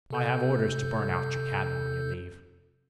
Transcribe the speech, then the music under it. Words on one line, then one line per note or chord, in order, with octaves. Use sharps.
I have orders to burn out your cabin when you leave.
C3 A4 G6